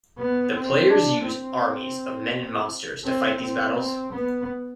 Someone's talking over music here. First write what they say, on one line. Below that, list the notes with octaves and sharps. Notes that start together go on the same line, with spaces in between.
The players use armies of men and monsters to fight these battles.
B3
C4
D4
C4
C4
C4
B3